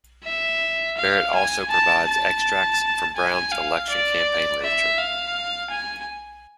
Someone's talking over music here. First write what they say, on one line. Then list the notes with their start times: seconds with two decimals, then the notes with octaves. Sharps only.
Barrett also provides extracts from Brown's election campaign literature.
0.24 E5
0.97 F5
1.35 G#5
1.71 A5
2.07 A5
3.16 G#5
3.52 F5
3.89 D5
4.62 E5
4.98 F5
5.71 G#5